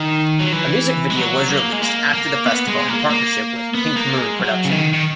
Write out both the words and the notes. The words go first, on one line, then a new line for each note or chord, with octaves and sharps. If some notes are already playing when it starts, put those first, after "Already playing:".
A music video was released after the festival in partnership with "PinkMoon" production.
Already playing: D#3
F#3
E3
G#3
F#3
A#3
G#3
A#3
A#3
B3
G#3
A#3
A#3
B3
A#3
G#3
F#3
C#3
D#3
D#3